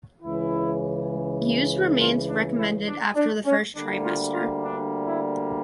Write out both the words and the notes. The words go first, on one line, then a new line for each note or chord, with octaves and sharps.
Use remains recommended after the first trimester.
C#2 C#3 E3 E4
F4
D4
E4
D4
D4
C#4
D2 D3 G3 A#3 D4
F4
F4
D4
E4